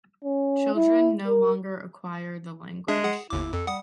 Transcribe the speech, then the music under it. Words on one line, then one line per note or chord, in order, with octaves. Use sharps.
Children no longer acquire the language.
C#4
E4
A#4
G#3 D4 G#4 E5
G#4 F#5
G1 D#2 E4 D6
F2 A4
G3 F#5 D#6